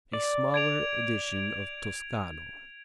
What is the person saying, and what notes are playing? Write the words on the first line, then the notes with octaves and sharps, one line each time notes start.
A smaller edition of Toscano.
D5
G#6 D7 F7